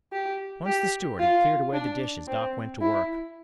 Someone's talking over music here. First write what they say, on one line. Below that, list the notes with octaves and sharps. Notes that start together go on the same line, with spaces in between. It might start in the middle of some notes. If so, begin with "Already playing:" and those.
Once the steward had cleared away the dishes, Doc went to work.
G4
G4
F4
D4
C4
E4